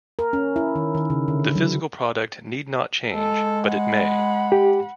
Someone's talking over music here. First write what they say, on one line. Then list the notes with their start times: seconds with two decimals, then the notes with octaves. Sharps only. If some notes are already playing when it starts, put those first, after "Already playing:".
The physical product need not change, but it may.
0.19 A#4
0.33 C#4
0.56 E4
0.75 D#3
0.95 D#3
1.10 C#3
1.28 D3
1.55 F#3
3.13 G#3 A4
3.68 F#5 B5
4.52 G4